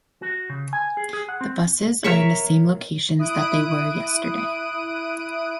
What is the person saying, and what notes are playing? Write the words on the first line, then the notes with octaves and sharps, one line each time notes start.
The buses are in the same locations that they were yesterday.
F#4
C#3
G#5
G#4
G#4
F#5
C4
A#4 C#5 E5 C#6
E4 D#6 F#6 D7 D#7